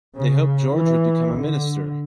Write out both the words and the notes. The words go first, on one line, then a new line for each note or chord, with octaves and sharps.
They hoped George would become a minister.
C#3
E3
D3